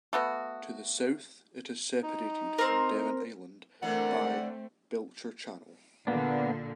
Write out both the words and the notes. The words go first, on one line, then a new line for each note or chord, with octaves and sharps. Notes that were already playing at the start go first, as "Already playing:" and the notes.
To the south, it is separated from Devon Island by Belcher Channel.
A3 B3 F#4
D#4
C4 A#4
D3 E3 A3 C4 D4 A#4 F#5
A#2 D3 A#3 B3 D4